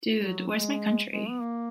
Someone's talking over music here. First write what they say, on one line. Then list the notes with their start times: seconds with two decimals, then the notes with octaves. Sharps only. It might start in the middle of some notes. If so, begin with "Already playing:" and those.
Dude, Where's My Country?
0.18 F#3
0.49 G#3
1.11 G#3
1.30 B3
1.41 A#3